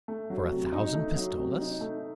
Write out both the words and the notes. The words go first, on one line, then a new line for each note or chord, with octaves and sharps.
"For a thousand pistoles?"
A3
F#3
C3
D#4
A3
F#3
C3
D#4
A3